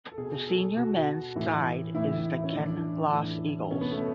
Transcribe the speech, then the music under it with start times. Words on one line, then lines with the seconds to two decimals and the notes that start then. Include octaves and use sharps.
The senior mens side is the Kinloss Eagles.
0.12 A4
0.18 B2 G#4
0.47 A4
0.76 B2 F#4
1.35 A2 E3
1.94 A2 E3 E4
2.33 E4
2.44 C#4
2.53 A2 E3 D4
3.12 A2 E3
3.71 B2 C#4
3.81 B3
3.91 A3